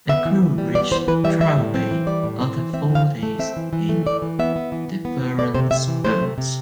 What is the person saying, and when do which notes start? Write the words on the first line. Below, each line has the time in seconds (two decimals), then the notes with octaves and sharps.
The crew reached Trial Bay after four days in "Deveron"s boats.
0.09 B3 E5
0.25 E3
0.42 E3
0.58 G3
0.75 B3 D5
0.92 E3 C5
1.08 E3 B4
1.24 G3 E5
1.41 G3 E5
1.58 A2
1.74 C4
1.91 E3
2.07 G3 D5
2.24 A2
2.41 C4
2.57 E3
2.74 C4 E5
2.90 E3
2.95 F5
3.07 E3
3.23 A3
3.39 C4 E5
3.57 E3
3.73 E3
3.89 A3
4.06 E3 D5
4.22 E3
4.39 B3 E5
4.56 B3
4.72 E3
4.88 E3
5.05 B3
5.22 B3
5.38 A3 D5
5.55 C3 C5
5.71 C3 E5
5.88 E3
6.05 A3 C5
6.21 C3
6.38 C3